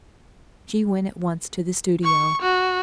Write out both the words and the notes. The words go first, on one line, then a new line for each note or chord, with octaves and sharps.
She went at once to the studio.
C#6
F#4